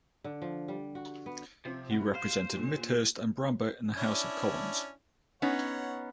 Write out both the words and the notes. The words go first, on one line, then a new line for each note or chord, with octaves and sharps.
He represented Midhurst and Bramber in the House of Commons.
D3
F3
G3
F#4
B3
C3 F3 C4
G2 F#5
C5 F5
A#2 D3
C#4 D4 E4
B3 C#4 D#4 C#5 F#5